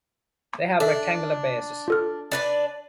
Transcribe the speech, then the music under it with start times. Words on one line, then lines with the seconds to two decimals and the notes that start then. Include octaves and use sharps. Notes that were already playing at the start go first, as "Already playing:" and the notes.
They have rectangular bases.
0.80 D4 A4 E5
1.88 F4 A4 F6
2.32 D4 B4 D5